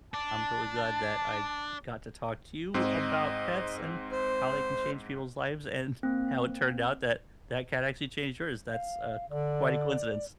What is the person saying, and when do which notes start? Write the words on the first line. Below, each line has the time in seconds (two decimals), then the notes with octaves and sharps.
I'm really glad that I got to talk to you about pets and, how they can change people's lives and how it turned out that, that cat actually changed yours. That's, uh, quite a coincidence.
0.14 D4 A5
2.74 G#2 C4 D#5
4.12 C5
6.03 A#3 C4
8.73 F5
9.30 D3 D5